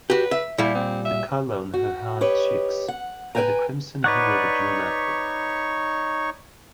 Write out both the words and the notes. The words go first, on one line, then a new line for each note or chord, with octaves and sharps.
The color on her hard cheeks had the crimson hue of a June apple.
F#4 G4 B4
E5
A#2 G3 E4
C4
E5
F#4
G4 B4 C#5 D#5
F#5
B4 D#5 G5 G#5 A#5
D#4 B4 C#5 D5 F#5 C#6